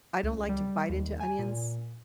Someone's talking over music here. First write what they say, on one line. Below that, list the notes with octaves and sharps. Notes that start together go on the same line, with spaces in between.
I don't like to bite into onions.
C#2
G3
D#2
G#5
A#2